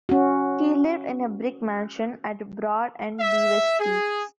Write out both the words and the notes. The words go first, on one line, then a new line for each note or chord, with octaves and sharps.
He lived in a brick mansion at Broad and Beaver Streets.
C#4 F#4
E5
G#4